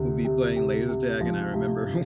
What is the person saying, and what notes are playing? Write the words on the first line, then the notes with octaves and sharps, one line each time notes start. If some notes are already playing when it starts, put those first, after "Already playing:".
we'll be playing laser tag, and I remember
Already playing: D2 C3
C3
C3
C3
F3
C3